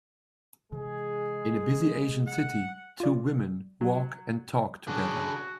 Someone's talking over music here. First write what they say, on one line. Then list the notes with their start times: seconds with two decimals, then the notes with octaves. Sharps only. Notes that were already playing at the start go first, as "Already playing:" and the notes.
In a busy Asian city, two women walk and talk together.
0.72 C3 E3 G#3 G#4
2.27 F#5
3.00 F4 D5
3.81 F#3
4.88 C#3 D4 F#4